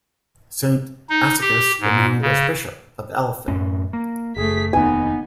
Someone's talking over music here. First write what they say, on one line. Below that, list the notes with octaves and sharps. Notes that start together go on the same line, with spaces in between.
Saint Asicus remained as bishop of Elphin.
D#4
G4
G#2
C#3
F#2 A2 C#4
A#3
F#1 A3 G#4 B6
F1 D#2 B3 D#4 G#5